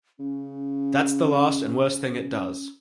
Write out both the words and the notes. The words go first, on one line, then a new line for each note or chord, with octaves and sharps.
That's the last and worst thing it does.
C#3 C#4